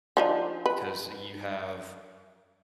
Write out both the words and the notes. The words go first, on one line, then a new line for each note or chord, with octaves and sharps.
because you have
F3 D4 D#4
B4